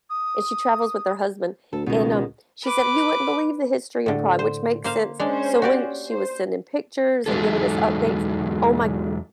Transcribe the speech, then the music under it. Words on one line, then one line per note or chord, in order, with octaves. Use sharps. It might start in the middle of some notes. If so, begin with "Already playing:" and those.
and she travels with her husband, and, um, she said, "You wouldn't believe the history in Prague," which makes sense. So when she was sending pictures and giving us updates, oh my
D#6
D2 A4
C#2 B2 D#3
B4 D6
A2 D3
C5
A#3 C5 F5
G#3 C#4 D4 C5
F#4 G4 D5
C5
E2 F#3 G#3 D#4 A4